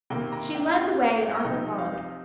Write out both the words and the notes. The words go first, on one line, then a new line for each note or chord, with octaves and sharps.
She led the way and Arthur followed.
C3 D#3 A#3 G5
A#5
G5
F5
F5
G5
A#5
C3 F3 D#4 G5
F5